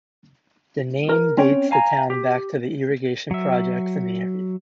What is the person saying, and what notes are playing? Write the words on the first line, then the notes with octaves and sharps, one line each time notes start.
The name dates the town back to the irrigation projects in the area.
A#4
C4 C#4 C#5 G5
F5 G#5 A#5
G4
F#3 E5